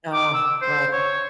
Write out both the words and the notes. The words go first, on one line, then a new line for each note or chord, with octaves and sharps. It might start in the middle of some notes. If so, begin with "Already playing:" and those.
Ah, righ
D6
E6
C5
C#5